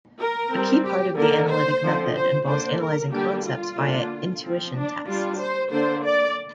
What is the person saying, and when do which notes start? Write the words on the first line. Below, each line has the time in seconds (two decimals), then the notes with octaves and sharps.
A key part of the analytic method involves analyzing concepts via "intuition tests".
0.19 A#4
0.52 G3 C4
0.85 G4
1.17 D3 A#3 D4 A#4
1.49 C5
1.82 D3 F3 C4
2.14 C5
2.46 D3 A#3 D4 C5
2.79 A#4
3.11 D3 G3 A#3 D4 G4
3.44 F4
3.77 D3 A#3 D4
4.42 F3 C4
4.74 D4
5.07 G3 D4 F4
5.39 C5
5.71 D3 A#3 D4 C5
6.04 D5